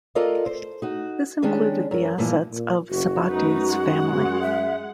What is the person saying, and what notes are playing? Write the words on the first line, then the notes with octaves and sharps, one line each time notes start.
This included the assets of Sabates' family.
F4 A4 A#4 D5 D#5 F5
C5
D#4 F#4
D#3 G#3 C#4 D4 G4
F#2 A#4
G2 A#2 E3 F3 A#3
A#2
F#1 F#4
F#2 A3 D#4 B4
G#3 F#5
E5